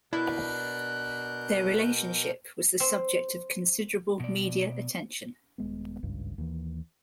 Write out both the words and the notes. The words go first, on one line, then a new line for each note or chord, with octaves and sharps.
Their relationship was the subject of considerable media attention.
B2 D4 E4 A#4 B4 F#6 G6
C4
B2 D5
D#1 G#3 B3
G#1 C#2 G2
D#2 E3